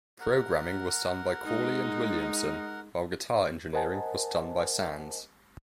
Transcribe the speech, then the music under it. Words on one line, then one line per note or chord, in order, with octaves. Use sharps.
Programming was done by Cooley and Williamson, while guitar engineering was done by Sands.
A#4 F#5
G#3 D#4
A#4 C5 D#5 F#5 G#5 A5